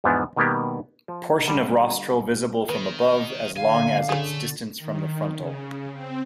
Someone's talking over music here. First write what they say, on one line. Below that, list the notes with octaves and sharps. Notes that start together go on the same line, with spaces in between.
Portion of rostral visible from above as long as its distance from the frontal.
E2 G#2 E3 F3 B3 D4
B2 D#3 G3 A#3 B3 G4
F3
D3 G3
D#3 B4
D3 F5 G#5
C#3 A3 G#4
D#3
C#3
C4